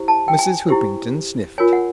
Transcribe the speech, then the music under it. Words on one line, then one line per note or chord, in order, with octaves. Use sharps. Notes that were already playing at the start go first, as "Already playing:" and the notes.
Mrs. Hoopington sniffed.
Already playing: E4 G4 C5
A5
G5
G#5
E4 G4 C5
F4 A#4 C#5 G#5
F#5